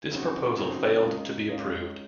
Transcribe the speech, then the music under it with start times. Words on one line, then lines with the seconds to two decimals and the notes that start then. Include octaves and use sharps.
This proposal failed to be approved.
0.11 C#3 F#3 C4 D#4 F#4
0.57 C#3 F#3 C4 D#4 F#4
1.03 G#3 C#4 F4 A#4 D#5
1.48 G#3 C#4 F4 A#4 D#5